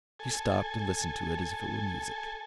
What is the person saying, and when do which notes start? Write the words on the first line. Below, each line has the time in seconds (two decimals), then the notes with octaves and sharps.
She stopped, and listened to it as if it were music.
0.19 A4 G#5